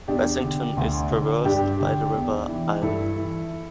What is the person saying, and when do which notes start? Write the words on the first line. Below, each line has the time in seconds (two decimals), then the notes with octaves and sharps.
Bassington is traversed by the River Aln.
0.08 E2 D4 G4
0.43 D3
0.77 D2
1.11 D3
1.45 G2 D4 G4
1.80 D3
2.14 E2
2.48 E3
2.82 G2 E4 A4
3.17 E3